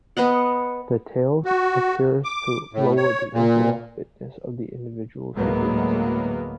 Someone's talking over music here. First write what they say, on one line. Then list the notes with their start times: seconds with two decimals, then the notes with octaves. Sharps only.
The tail appears to lower the overall fitness of the individuals who possess it.
0.17 B3 B4 D#5 F#5
1.45 F#4
2.24 D6
2.73 A2
2.97 C#5
3.33 A#2
5.35 D2 A2 F#3 G#3 A#3 B3